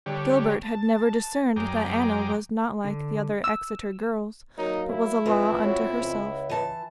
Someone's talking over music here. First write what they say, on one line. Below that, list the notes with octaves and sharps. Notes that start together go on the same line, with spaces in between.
Gilbert had never discerned that Anna was not like the other Exeter girls, but was a law unto herself.
D3 G3 G4 C#5
A5
F#2 G#4 G5 A#5 D6
D3
E6
F#3 A#3 D#4
E4
F2 C4 B4
F#4 C#5
C#2
E3 A5